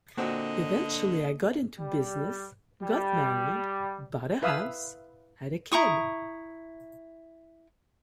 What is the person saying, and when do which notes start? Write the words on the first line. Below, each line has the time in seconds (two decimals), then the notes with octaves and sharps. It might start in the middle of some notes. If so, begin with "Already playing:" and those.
Eventually I got into business, got married, bought a house, had a kid.
0.17 A#2 D3 A#3 C4 F#4 D#5
1.80 G3
2.83 G3
4.42 E4 B4 E5 F5 D#6 E6
5.72 E4 A#5 C#6 D#6